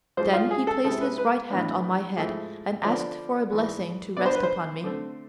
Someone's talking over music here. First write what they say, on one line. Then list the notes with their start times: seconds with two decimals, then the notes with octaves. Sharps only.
Then he placed his right hand on my head and asked for a blessing to rest upon me.
0.17 G#2 F3 G#3 C5
0.33 F4
0.51 G#4
0.67 A4
0.85 C3 G#3 C4 E4 A4
1.01 B4
1.18 B4
1.51 A2 E3 B3 D4
2.17 G#2 F3 A3 E4
2.83 D3 F3 B3 D5
3.51 G#2 E3 B3
4.16 B2 B3 D4 D5
4.26 C5
4.35 B4
4.43 C5
4.84 D3 A3 C4